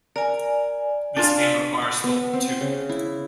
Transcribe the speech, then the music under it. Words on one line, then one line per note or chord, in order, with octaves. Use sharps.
This game requires thought, too.
A#4 D5 G#5
D4 F4 F5
A5
B3
C4
C#3
E4